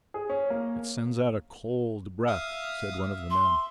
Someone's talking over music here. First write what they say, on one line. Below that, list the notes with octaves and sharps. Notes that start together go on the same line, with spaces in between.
"It sends out a cold breath," said one of the men.
G#4
C#4
A#3
E5 F5 D#6
E5
C6